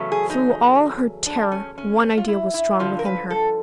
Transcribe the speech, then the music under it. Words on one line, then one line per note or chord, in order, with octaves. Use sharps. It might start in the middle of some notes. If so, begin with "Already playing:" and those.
Through all her terror one idea was strong within her.
Already playing: E2 C#3 F#3 A3 C#4
G#4
D#4
D4
C#4
C#4
C#4
F4
E4
E4
G2 D3 F3 F4
A#4
B4
A4